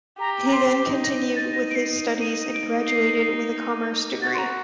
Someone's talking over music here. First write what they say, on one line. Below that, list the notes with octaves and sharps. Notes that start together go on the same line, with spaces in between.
He then continued with his studies and graduated with a Commerce degree.
G4 A#5
A#5
C6
D#4
A#6
A6
A#6
D7
C7
D#4 D#7
D7
C7
F#4 A6
C6
A#5